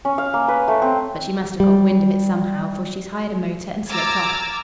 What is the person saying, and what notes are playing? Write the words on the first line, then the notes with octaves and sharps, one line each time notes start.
But she must have got wind of it somehow, for she's hired a motor and slipped off.
C#4
F5
A#3
B4
A3
C4
G3
A#5 D6 E6 F6 G#6 A6